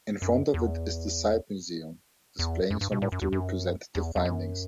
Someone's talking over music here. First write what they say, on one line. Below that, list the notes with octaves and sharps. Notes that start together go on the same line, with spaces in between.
In front of it is the site museum, displaying some of the representative findings.
F#2
E2
E2
F#2
G2
B2
A2
F#2
E2
F#2
E2
E2
F#2